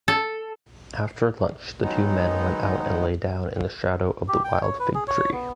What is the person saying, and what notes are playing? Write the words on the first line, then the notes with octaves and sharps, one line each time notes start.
After lunch the two men went out and lay down in the shadow of the wild fig tree.
A4
D#3 F#3 G#3 B3 D#4
G4
G5
C#5
B4
G#4
C#5
B3